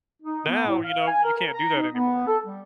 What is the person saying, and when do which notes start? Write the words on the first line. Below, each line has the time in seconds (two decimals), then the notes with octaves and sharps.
Now, you know, you can't do that anymore.
0.22 D#4
0.47 B3
0.67 A2
0.83 F5
1.07 G#5
1.23 A#4
1.38 A#4
1.53 A#5
1.75 D#4
1.94 B3
2.27 A4
2.45 G3